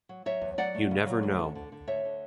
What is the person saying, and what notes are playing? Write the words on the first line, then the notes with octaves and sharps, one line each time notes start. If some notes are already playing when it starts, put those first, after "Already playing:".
You never know.
F#3
F#3 C#5 E5
E2
F#3 D5 F#5
A3
C#3
F#3
D2
D3
D3
D3
D2 C#5 E5
D3